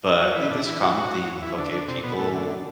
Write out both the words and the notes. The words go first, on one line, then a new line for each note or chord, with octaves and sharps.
but the there's a common theme of, okay, people
F#3 F#4
E3 E4
D3 D4
E3 E4
F#3 F#4
F#3 F#4
E3 E4
D3 D4
D3 D4
C3 C4
B2 B3
A2 A3
E3
D3